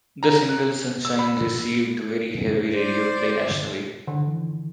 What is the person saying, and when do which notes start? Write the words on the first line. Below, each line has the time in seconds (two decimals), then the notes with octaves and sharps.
The single "Sunshine" received very heavy radio play nationally.
0.23 A#5
0.49 F#6
1.05 E6
1.19 B5
2.74 C5 D5
4.08 D3 D#3
4.27 D#3 E3